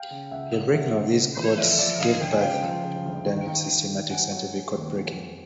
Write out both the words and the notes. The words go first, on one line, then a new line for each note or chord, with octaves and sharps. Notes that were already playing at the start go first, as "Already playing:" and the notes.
The breaking of these codes gave birth to modern systematic scientific code breaking.
Already playing: F5 G5
C#3
C#2 E5 F#5
C#2
C#3 E5 F#5
C#2
C#3
E3
F3 D5 E5
F3 D5 E5
D2 D#5 F5
D2 G5
G#5
C#3 F5 G5
F3
C#3
D2
D#3
D#3
D#3
D#3
F#3 F#5 G#5
F#3
F#3
D#2
F3
F2